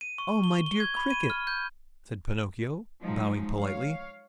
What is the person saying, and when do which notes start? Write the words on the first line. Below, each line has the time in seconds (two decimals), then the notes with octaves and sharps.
"Oh, my dear Cricket," said Pinocchio, bowing politely.
0.01 D#7
0.18 C#6
0.44 G7
0.66 G7
0.80 G#6
0.97 B5
1.10 D#7
1.30 F6
1.47 G6
3.00 F3 F#3 G#3 D#4
3.59 C#5 F5